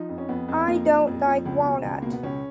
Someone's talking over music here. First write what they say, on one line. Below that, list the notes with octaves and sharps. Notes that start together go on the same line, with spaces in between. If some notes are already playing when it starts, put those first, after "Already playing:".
I don't like walnut.
Already playing: F3 D#4
F2
C#4
F2 B3
F2
F3 A#3
F3
F2
F3
C#2
B2
C#2
B2 A#3
B3
C#2 C#4